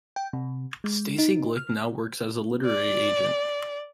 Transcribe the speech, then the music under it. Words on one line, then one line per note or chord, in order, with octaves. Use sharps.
Stacey Glick now works as a literary agent.
G5
C3
G#3
D#4
F6
D5